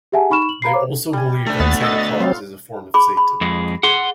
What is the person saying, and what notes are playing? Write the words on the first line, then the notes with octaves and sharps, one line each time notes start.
They also believe that Santa Claus is a form of Satan.
G4 G#4 E5 F#5 G#5 A5
D#4 B5 C#6 F6 E7
F#7
F5 A#5 B5 C7
C5 C#5 D6
G3 G#5
A3 D4 A4
D#2 B3 F#5 A6
D#5 A5 E6 A6
F#3 C4 F4 F5 C6
G#4 B5 D6
B5
F2 G#3
G#4 F#5 C6